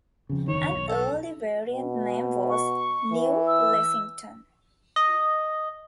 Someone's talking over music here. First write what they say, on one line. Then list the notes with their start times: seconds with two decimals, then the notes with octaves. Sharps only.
An early variant name was New Lexington.
0.29 F2 C#3
0.48 F#1 E2 D#3 C#5
0.70 B1
0.88 A4
1.70 B2
2.49 C#6
3.11 E3
3.47 E6
4.96 D#5